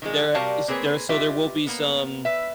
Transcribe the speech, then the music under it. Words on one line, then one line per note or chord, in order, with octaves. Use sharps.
there ish there so there will be some
D#3 F3 G#3
C3 G3 F#4 A#4 F5 A5
A#3 C4 G#4 B4 C#5
F4 G4 B4 D#5 E5
A#3 B3
B4 E5